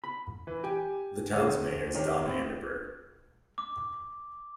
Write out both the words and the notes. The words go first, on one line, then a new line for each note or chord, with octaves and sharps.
The town's mayor is Don Anderberg.
B5
E3 B4
G4 G#5
D2 G#4 C#5
D#3 D#4 G4 C#5
A2 C4
D6